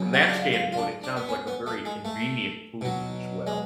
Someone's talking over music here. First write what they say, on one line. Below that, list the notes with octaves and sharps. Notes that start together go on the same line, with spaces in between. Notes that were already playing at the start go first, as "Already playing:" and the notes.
from that standpoint, it sounds like a very convenient food, as well.
Already playing: C#3 F#3
F#4
F4
D4
F4
F4
F4
D4
D4
B3
C#4
B3
A3
G#3
A3
B2 F#3
G#3